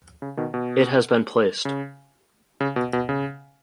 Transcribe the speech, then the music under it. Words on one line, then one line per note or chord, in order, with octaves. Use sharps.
It has been placed.
C#3
B2 D#3
B2
C#3
C#3
B2
B2
C#3